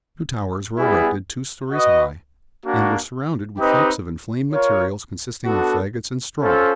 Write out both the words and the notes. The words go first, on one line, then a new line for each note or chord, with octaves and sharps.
Two towers were erected two stories high, and were surrounded with heaps of inflamed materials consisting of fagots and straw.
G3 B3 E4 G#4
F#4 B4 D#5
A#3 D4 F#4
C4 D#4 G4 B4 D#5
F4 A#4 C#5
B3 D4 F#4 A4
C#4 F4 A4 C5